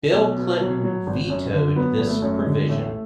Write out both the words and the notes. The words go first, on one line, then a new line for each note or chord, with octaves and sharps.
Bill Clinton vetoed this provision.
B1
B2
F#3
F#3
G#1
F#2
D3
F#3 B3
G#1
A3
F#2
G#3
D3
A1 A3